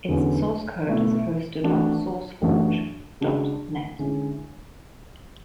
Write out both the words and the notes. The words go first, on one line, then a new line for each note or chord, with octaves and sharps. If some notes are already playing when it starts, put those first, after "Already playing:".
Its source code is hosted on SourceForge dot net.
E2 D3 F#3 C#4 E4
B2 A3 E4
E3 A3 D4 F#4
F#2 E3 A3 D4 F#4
C#3 G#3 D4 F#4
D3 G#3 C#4 E4